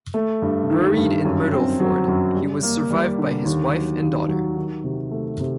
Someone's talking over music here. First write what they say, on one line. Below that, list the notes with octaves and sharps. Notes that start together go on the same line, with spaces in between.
Buried in Myrtleford, he was survived by his wife and daughter.
A3
G2
D#3
G2
F#2
C4
F#3
F#2
G3
A#3
G3
D3
D#2
F#3
D#2
F#3
D#3
C3
A3
C3